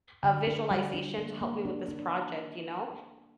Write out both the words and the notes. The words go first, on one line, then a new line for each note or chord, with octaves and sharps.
a visualization to help me with this project, you know,
D3
D4
G3
D4
A#3
A#3
D4
D4